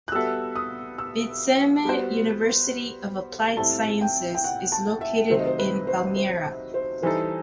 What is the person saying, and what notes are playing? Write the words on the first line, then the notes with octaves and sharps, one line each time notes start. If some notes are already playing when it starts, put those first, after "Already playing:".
Vidzeme University of Applied Sciences is located in Valmiera.
F#6
G3 B3 F#4 A4 E5 E6
D#6
E6
G3 B3 F#4 C5
A2 G3 C4 E4 A4 A5
G5
G5
F#5
A5
E5
C3 D#3 F#3 A3 C5
D#5
C5
B4
C5
C5
C5
E3 G3 D#4 A4 C5